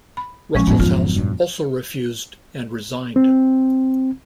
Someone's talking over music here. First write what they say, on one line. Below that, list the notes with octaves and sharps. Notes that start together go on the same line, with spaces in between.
Ruckelshaus also refused and resigned.
B5
A#1 F3 G#3 C#4
G#1 F2 A2 F#3 G#3 B3
F3 B3 F4
G2 A#2 F#3
C4